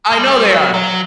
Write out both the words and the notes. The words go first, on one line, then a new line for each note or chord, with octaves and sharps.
I know they are.
G#3
G3
F#3
F#3